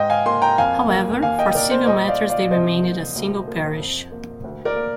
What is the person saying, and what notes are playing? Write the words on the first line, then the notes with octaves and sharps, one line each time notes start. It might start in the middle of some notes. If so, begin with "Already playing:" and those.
However, for civil matters they remained a single parish.
Already playing: G#2 D#5 G5
F5 G#5
A#3 G#5 C6
G5 A#5
F2 F5 G#5
A#3
D#2 F5 G#5
D#5 G5
D#2 A#4 D5
C5
A#2 C5 D#5
D5 F5
A#2
D5 F5
C2 C5 D#5
A#3
D2
A#3
F2
A#3
D2
A#4 D5
A#3